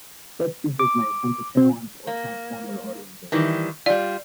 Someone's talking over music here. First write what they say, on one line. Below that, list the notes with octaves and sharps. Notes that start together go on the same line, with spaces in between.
Such speakers may attempt to challenge or transform their audiences.
D6
C4
A#3
D#3 E3 G3
G3 F4 D5